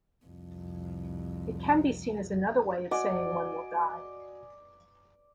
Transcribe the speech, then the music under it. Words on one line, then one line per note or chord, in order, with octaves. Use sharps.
It can be seen as another way of saying one will die.
C2 F2
F#4 D5 D#5 F#5 G#5